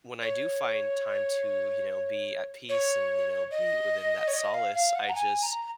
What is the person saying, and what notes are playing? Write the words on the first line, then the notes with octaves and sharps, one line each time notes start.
when I do find time to, you know, be at peace and, you know, be within that solace, I just
C#5
C#5
D#5
C#5
D#5
F5
F5
F#5
A#5
G#5
A#5